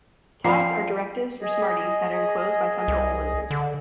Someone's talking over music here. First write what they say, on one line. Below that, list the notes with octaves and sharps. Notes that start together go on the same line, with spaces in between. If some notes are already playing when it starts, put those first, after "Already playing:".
Tags are directives for Smarty that are enclosed by template delimiters.
F3 D5 F5 G5 C7
G#4 D#5
C2
D3